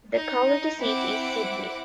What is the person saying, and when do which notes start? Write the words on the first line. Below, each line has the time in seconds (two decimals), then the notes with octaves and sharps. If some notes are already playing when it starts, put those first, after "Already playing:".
The county seat is Sidney.
0.12 D#4
0.81 C4 E4 F#5 D6